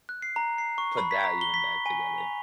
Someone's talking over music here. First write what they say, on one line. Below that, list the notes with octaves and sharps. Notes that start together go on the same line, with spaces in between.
put that even back together.
F#6
C7
A#5
C7
C#6
B5
B6
A#5
G7
B6
G#5
F7